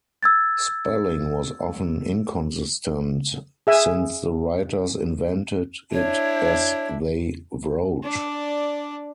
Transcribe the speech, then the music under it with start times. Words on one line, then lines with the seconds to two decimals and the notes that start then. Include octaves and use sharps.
Spelling was often inconsistent, since the writers invented it as they wrote.
0.23 E6 G#6 A6
3.67 G#4 E5 G#5
5.93 D4 E4 C#5
8.03 D4 D5